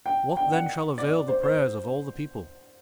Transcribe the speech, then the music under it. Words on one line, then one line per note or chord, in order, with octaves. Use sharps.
What, then, shall avail the prayers of All the People?
G5
G5
F#5
D5
C5
C5